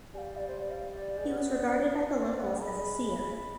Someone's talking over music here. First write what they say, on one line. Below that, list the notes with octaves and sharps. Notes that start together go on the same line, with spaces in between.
He was regarded by the locals as a seer.
G3 F5 G#5
D5
C5
D5
F5
D5
G#3
B3
D5
C4
B3
G#3 B5